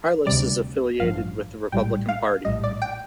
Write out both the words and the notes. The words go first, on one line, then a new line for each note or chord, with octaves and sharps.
Harless is affiliated with the Republican Party.
D2 C3 G3 D5
A1 G2 F3 F5
A#1 A2 G3 G5
F5
A#1 A2 G3 D#5
D5
G5